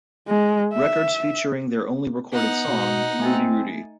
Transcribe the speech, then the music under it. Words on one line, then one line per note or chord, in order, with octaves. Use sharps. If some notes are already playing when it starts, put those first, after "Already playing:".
Records featuring their only recorded song, Rudy, Rudy.
G#3
E5
B3 D#4 F#5
B2 D#5 D#6
A3 C4 G#5 A6